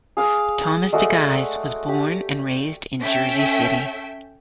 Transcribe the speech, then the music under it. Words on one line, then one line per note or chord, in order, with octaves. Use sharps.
Thomas DeGise was born and raised in Jersey City.
G#4 F5 D6
G#3 A3 F#4 D5
G4
C#4 A4 E5 G5 B6